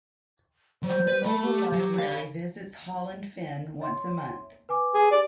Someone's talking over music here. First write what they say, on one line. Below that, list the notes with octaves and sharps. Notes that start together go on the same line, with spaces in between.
The mobile library visits Holland Fen once a month.
F#3 G3 C5
B4
A3 A4 B5
G4
F#3
C#5 F5
C#5 E5 C6
B4 G#5 D6
G#4
G4 D5